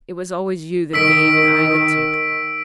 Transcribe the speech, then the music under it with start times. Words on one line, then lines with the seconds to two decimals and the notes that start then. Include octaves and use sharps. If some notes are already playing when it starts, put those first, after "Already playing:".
It was always you that gave and I that took.
0.93 D#3 E6 B6 D7